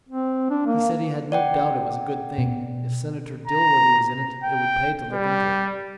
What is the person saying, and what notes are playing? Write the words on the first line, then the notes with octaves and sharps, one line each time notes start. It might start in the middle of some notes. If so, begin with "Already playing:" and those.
"He said he had no doubt it was a good thing; if Senator Dilworthy was in it, it would pay to look into it."
C4
D4
A#3
D5 F#5 G5
B2
A#5
G5
G3